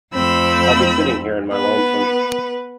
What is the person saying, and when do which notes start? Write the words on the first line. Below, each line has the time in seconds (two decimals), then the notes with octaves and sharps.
I'll be sitting here in my lonesome.
0.13 F2 A3 C4 B5 E6
1.49 B3 B4